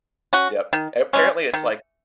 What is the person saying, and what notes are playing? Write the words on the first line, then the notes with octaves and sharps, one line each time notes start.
Yep. And apparently, it's like
C#4 F#4
D#3
G#3 C#4
D#3